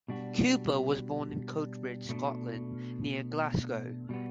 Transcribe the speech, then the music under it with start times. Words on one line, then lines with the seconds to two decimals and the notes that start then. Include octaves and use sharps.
Cooper was born in Coatbridge, Scotland, near Glasgow.
0.08 B2 G3 D4 F#4
2.09 B2 A3 D4
4.09 B2 G3 B3